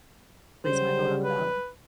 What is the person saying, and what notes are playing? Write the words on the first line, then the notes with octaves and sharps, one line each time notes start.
placed my vote on the ballot.
C#3 F#3 G3 C5
B4